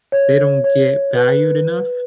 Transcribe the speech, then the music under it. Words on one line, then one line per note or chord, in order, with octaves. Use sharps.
they don't get valued enough
C#5
C#5
B4